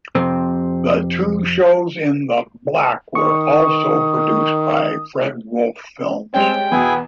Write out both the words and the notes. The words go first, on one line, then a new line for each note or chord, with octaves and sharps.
The two shows in the block were also produced by Fred Wolf Films.
F2 C3 C4
D#3 C#6 D#6
G3 G#3 C4 C#4 G5
E2 B2 B3 E4 G#4 G#5